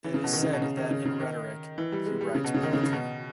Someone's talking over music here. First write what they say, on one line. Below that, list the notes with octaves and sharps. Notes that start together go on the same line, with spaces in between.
It is said that in rhetoric, he writes poetry.
E3
C#3
B2
D#3
C#3
B2
C#3
D#3
C#3
C#3
D#3
E3
G3
G#3
G3
C#3
B2
C#3
D#3
C#3
C#3
B2